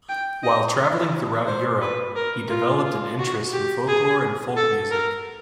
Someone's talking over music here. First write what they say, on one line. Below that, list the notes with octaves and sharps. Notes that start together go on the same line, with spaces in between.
While traveling throughout Europe, he developed an interest in folklore and folk music.
G5
D#5
C5
B4
A#4
F4
F4
F#4
G4
G#4
A4
A#4